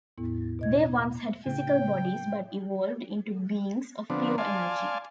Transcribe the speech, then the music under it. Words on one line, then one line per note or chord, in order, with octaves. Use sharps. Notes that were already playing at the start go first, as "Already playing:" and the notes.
They once had physical bodies, but evolved into beings of pure energy.
E2 A2 B3 E4
B2 D#5 G#6
A2 C#3 G5
D3 F3 B3 C4 D4
D5 F5 G#5 A5 C6